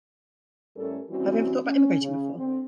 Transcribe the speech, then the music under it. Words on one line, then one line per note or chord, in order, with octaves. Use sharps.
Have you ever thought about emigrating before?
A2 G3 A3 C#4 A4 A#4
E3 G3 C4 C#4 F#4
C#4
C#3
D3 C4